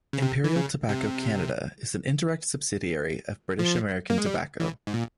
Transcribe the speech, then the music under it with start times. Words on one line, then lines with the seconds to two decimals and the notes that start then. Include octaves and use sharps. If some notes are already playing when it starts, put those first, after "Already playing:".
Imperial Tobacco Canada is an indirect subsidiary of British American Tobacco.
0.13 C#3
0.22 C3
0.44 E3
0.56 C#3
0.89 C3
3.59 F3
4.10 A#3
4.18 G#3
4.26 G3
4.60 E3
4.87 G#2
4.94 A#2